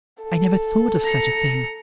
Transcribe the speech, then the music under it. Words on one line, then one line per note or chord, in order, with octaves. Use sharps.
'I never thought of such a thing.'
A4
A#5 C#7